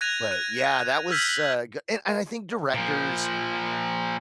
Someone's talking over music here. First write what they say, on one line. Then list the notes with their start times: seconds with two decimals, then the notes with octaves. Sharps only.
But, yeah, that was, uh, g and and I think directors,
0.01 F#6 G#6 A#6 D#7 F7
0.31 F#6 D#7
1.10 E6 F6 G6 G#6 B6 F#7
2.74 A#2 F3